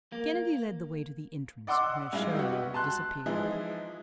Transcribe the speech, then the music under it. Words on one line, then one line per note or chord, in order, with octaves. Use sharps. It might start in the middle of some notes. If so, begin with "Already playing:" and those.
Kennedy led the way to the entrance where Shirley had disappeared.
A#3
D5 D#5 F#5 C6 D6 E6
G2 G#3 E4 F4
F#4 G4 B4 D#5
B3
A5 C6 F#6
E3 F3 G#3 D#4 E4